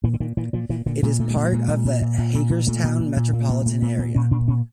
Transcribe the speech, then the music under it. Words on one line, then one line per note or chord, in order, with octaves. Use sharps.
It is a part of the Hagerstown Metropolitan Area.
A#2 E3
D3
A#2 D#3
A#2 E3
A#2 F3
A#2 E3
A#2 D3
A#2 G#3
A#2 A3
G#3
A#2
G3
A#2 G#3
A#2
A#2
A#2
A#2
A#2
A#2
A#2 A3
A#2
A#2
A#2
A#2 A#3
A#2 B3
G#3
A#2 A3
A#2 B3
A#2 B3
A#2 C#4
A#2 D4
A#2 C#4